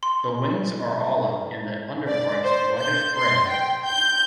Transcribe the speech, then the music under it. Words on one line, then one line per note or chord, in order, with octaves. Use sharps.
The wings are olive and the underparts whitish grey.
C6
D5
C5
G6
C6
G5
G6